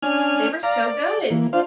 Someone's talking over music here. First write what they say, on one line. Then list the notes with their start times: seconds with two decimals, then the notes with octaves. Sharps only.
They were so good.
0.02 C#4 D4 G#5 F6
0.63 D5 F5 A#5
0.87 D5
1.30 E3 A#3
1.53 D4 F4 C5 F5